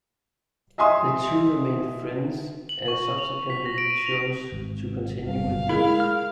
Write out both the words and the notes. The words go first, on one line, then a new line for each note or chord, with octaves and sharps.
The two remained friends and subsequently, chose to continue with Dos.
D#5 E5 G#5 C6 D#6
F#7
C#6
F#7
F7
B6
A#6
D7
D#7
F7
G#1
G1 F#2 C#3 F5
G#3 E4 G#4 A#4
F6